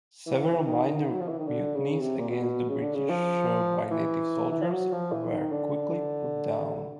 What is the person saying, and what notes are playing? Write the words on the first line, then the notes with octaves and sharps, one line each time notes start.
Several minor mutinies against the British by native soldiers were quickly put down.
E3
D#3
F#3
F3
E3
D#3
D3
C#3
C3
A#2
B2
C#3
D3
C#3
F3
E3
E3
F3
F#3
F3
E3
D#3
D3